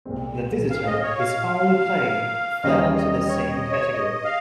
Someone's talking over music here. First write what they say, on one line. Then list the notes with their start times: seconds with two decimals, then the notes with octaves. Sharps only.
"The Visitor", his only play, fell into the same category.
0.05 C2 A#2 G#3 C4
0.70 F5
0.86 D#5
1.02 C#5
1.18 F5
2.64 D#2 C#3 G3 C#4 D#5
2.96 D#5
3.12 D#5
3.28 C#5
3.49 D#5
3.71 C#5
3.93 D#5
4.25 F5